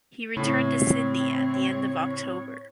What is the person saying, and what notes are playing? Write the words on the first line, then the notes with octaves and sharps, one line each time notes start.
He returned to Sydney at the end of October.
A2 C#3 C4 C#5